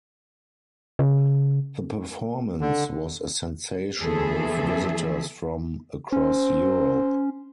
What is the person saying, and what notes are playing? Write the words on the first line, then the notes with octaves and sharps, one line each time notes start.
The performance was a sensation with visitors from across Europe.
C#3
D3
E2 E3 F3 G#4 A4 E5
C#4 C5